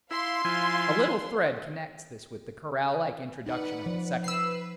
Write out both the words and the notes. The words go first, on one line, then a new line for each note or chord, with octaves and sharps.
A little thread connects this with the chorale-like introduction of the second theme.
E4 F5 C6
F3 E4 G#5
D#4 B4 D5 F#5
F3
B4 E6 C7